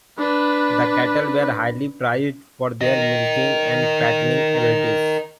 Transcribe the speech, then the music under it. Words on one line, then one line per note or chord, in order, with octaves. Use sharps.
The cattle were highly prized for their milking and fattening abilities.
D4 B4
A#4 D#5